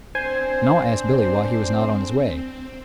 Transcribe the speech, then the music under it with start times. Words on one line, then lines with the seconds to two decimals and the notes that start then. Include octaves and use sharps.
And all asked Billy why he was not on his way.
0.15 C4 D4 C5 G#5